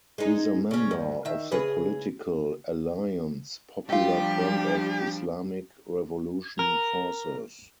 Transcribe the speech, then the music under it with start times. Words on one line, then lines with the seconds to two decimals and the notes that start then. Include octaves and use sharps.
He is a member of the political alliance Popular Front of Islamic Revolution Forces.
0.18 G#3 D#4
0.71 C#3 C#4
0.91 G2
1.25 D#3 E5
1.51 C#3 G#4 B4
3.90 F3 G3 A3 D4 F4 G4
6.59 A#4